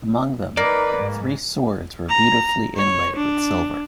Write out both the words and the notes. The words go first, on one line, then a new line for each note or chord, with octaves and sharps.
Among them, three swords were beautifully inlaid with silver.
A#3 D#4 B4 D5
G#2
A#5
C#5
D4